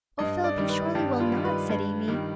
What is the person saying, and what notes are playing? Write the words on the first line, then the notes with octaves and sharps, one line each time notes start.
'O Philip, you surely will not?' said Amy.
G2 D#5
D5
D#3 G3
B4
G2 G4
F4
G3
D#3
B4
G2 B4
D#3 G3